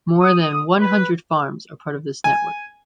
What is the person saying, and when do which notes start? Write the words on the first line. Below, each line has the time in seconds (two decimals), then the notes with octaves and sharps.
More than one hundred farms are part of this network.
0.21 D#6
0.79 B4
2.24 G#5